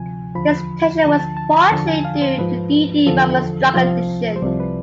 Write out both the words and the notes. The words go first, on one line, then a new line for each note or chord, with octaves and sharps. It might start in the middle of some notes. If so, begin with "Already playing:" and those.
This tension was partially due to Dee Dee Ramone's drug addiction.
Already playing: D2 C3 F3 G#5
E2 D3 F3 B5
D2 D3 F3 A5
A5
A5
B5
E2 D3 F3 A5
G#5
F5
C5
G#2 F3 B4
E2 D3 F3 A4
C2 C3 F3 F4
C5
C2 C3 F3 D5
B4